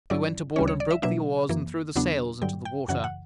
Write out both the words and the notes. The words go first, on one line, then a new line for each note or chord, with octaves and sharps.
And we went aboard and broke the oars and threw the sails into the water.
G2 F#3 C#4 E4 D5
D2 C#3 G3 C#4 C#5
C#5
D5
E5
B2 F#3 A#3 D4 E5
F#2 E3 A#3
E2 C#3 F#3 B3 D4
G2 D3 F#3 G5
G5
F#2 C#3 E3 F#5
F#5